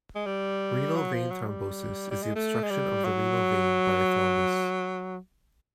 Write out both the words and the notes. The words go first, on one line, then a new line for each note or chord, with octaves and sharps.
Renal vein thrombosis is the obstruction of the renal vein by a thrombus.
G#3
G3
F#3
F3
F#3
G3
G3
G#3
A3
G#3
G3
F#3